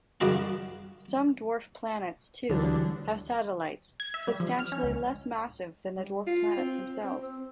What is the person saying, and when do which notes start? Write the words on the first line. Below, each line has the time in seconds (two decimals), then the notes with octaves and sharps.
Some dwarf planets, too, have satellites substantially less massive than the dwarf planets themselves.
0.21 F#2 C#3 G3 F#4 D#5 F5
2.49 D2 E3 F#3 G3
4.00 G#6
4.14 E5
4.27 G3
4.40 F3
4.59 F6
4.72 C#4
4.83 C#2
5.97 G3
6.27 F4
6.57 C4
7.04 C4
7.22 C4